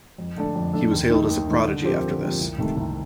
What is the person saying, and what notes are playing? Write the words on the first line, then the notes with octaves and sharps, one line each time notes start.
He was hailed as a prodigy after this.
F2
D3 A3 D4 A4
F2
D3 A3 D4 A4
D#2
D#3 A3 D#4
D#2
D#3 A3 D#4
D3
F3 C4 G4 A#4
D3
F3 C4 G4 A#4
C2
C3 D#3 A3
C2